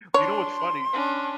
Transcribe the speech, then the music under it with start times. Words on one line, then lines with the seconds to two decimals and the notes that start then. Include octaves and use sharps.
you know, what's funny?
0.14 D4 C#5 C6
0.93 C#4 D4